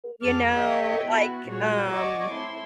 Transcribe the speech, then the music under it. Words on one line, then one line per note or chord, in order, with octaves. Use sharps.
you know, like, um,
F2 G#4 A4 D6 F6
G#4 C#5 D#5 E5 G5
B3 E4 F#4
A#2 G3 F#4 G#4 C#5
D5 D#5 F#5 G#5 C#6 D6
A2 C4 E4 C6